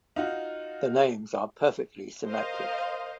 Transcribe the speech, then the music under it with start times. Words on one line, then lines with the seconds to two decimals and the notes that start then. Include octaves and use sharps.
The names are perfectly symmetric.
0.16 D#4 F4 F#4
2.26 A#4 C5 D#5 F5